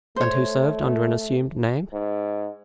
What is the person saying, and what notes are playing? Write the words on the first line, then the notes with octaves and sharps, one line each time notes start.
"And who served under an assumed name?"
A3 C5 C#5
G#2